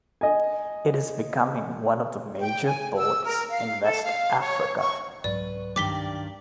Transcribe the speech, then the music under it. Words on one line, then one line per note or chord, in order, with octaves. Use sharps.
It is becoming one of the major ports in West Africa.
D#5 G#5
G5
G#5
E6
A#4
F5
A4
F5
C#5
C#6
C2 G#2 F#3 B4 D5
G2 D#3 D5 D6 B6 G7